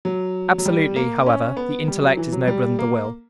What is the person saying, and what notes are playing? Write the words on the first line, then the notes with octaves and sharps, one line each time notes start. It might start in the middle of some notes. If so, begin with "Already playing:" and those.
Absolutely, however, the intellect is nobler than the will.
F#3
F#3
G3
A#3
C#4
B3
G3
F#3
E3
F#3
G3
A#3